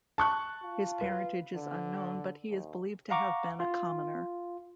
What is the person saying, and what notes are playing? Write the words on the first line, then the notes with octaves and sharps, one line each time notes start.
His parentage is unknown but he is believed to have been a commoner.
A5 C#6 F#6
F4
B4
D3
D#2
F5 F#5 A#5 C#6 D6
F4